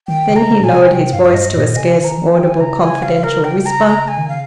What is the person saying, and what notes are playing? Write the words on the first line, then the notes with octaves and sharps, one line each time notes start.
Then he lowered his voice to a scarce audible confidential whisper.
D#3 G5
C#3
A#5
C#3
A#2 G#5
C3
C3 G5
G2 F5
F5
G2 D#5
A#2 D#5
C3 G#5
D#3
A#5
F3
G#5
D#3 G5
G#5
C#3 A#5
G#5
F5
A#4
G5
A#5
A#5
G#5
D#3
C#3 F5